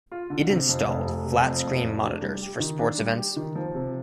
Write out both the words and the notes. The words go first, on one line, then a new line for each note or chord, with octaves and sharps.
It installed flat screen monitors for sports events.
F4
D3
C3
F2
F1
F1
C3
F2
F1
F1
D4
G3
G4
D#3
D4
G3
G4
D#3
F3
C3